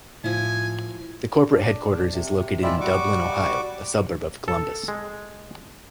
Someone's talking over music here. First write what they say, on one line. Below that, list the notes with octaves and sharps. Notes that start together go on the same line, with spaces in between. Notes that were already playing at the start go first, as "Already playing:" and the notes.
The corporate headquarters is located in Dublin, Ohio, a suburb of Columbus.
A2 F3 E4 G#5
D4
C3
G#3 C4 E4 F4 D5 E5
G3 F#4 C#6 D6
A4
G#3